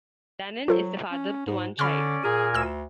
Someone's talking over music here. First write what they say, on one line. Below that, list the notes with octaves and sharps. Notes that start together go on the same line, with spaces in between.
Danan is the father to one child.
F#3 F4 A4 C5
C#4
G#2
D3 C#4 D5 B5 F6
A#2 G#4 A#4 G#5
D2 E6 E7